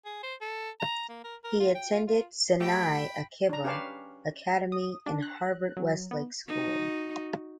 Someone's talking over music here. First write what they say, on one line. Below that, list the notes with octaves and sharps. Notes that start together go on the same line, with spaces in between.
He attended Sinai Akiba Academy and Harvard-Westlake School.
G#4
C5
A4
A#5
A#3
A#4
A#4
F4
G5
F4
F4
A3 F#4 G4 G5 B5
D4 A#5
C#4 G4 B4 F5 A5 C#6
D#6
D4
F#6
F#3
B3
D#4 F#4